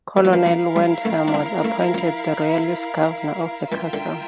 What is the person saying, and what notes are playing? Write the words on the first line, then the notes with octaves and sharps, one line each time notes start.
Colonel Wyndham was appointed the Royalist governor of the castle.
E3 E4 A#4 F5
F3
E3
F3
G3
A3
D4
C4
A3
F3
E3 F4 A#4 E5 G5
D3